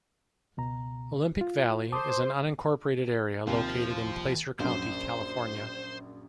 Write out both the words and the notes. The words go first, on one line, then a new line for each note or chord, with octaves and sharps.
Olympic Valley is an unincorporated area located in Placer County, California.
C#2 B2 A#5
F4
C5 A5 D6 D#6
D#2 C3 F3
A#1 F#2 C5